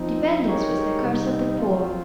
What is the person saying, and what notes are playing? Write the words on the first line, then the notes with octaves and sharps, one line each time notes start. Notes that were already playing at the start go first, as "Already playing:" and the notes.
Dependence was the curse of the poor.
Already playing: F3 C4 D#4
G#3 D#4 G4 A#4 C#5
C3 G3 C4 D#4
F3 C4 F4